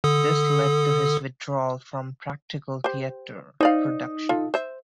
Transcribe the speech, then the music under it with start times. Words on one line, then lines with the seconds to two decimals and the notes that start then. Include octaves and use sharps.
This led to his withdrawal from practical theatre production.
0.04 D3 A4 D#6
2.84 G4 C5
3.61 D#4 C5 D5 F5
4.29 F4 A4
4.54 C5 E5